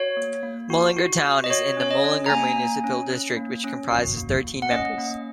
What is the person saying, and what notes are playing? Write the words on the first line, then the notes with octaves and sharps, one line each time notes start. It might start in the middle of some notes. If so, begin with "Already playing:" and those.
Mullingar town is in the Mullingar Municipal District which comprises thirteen members.
Already playing: F#4 C#5
A#3
A#3
F#4
F#4
F#4
D#5
F#4 C#5
C#4 C#5
D#5
C#4
A#5
A#3 G#5
A#3
C#4
C#4
A#3
C#4
F#4
A#3
A#3
F#5
C#4 D#5
A#3